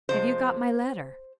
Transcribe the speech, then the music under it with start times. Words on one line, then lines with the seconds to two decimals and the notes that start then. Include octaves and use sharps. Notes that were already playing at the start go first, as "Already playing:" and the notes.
Have you got my letter?
0.09 C3 F3 G#3 C5